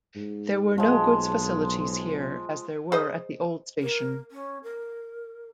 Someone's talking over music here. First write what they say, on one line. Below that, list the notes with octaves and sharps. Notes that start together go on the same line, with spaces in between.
There were no goods facilities here as they were at the old station.
G#2
B1 F3 G#3
G#4 C5 D#5
A#4
C#4
A#4